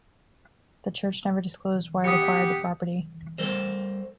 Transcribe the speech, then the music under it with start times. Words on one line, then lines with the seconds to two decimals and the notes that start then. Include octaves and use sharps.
The church never disclosed why it acquired the property.
2.04 B3 G4 D#6 C#7
3.38 G3 A4 A#4 C5